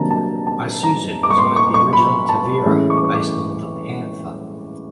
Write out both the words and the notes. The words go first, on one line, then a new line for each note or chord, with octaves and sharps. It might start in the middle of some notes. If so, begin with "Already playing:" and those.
Isuzu designed the original Tavera, based on the "Panther".
Already playing: C3 D#3 F#3 A#3 D4 A5 A#5
A5
A5
A#5
D6
C#6
C6
C#6
C#6
B5
A5
A2 E3 G#3 C#4
C#6
D6
C#6
D6